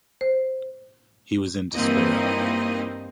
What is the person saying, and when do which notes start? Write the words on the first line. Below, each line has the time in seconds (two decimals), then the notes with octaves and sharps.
He was in despair.
0.21 C5
1.74 G2 E3 A#3 C4 D#4 D#5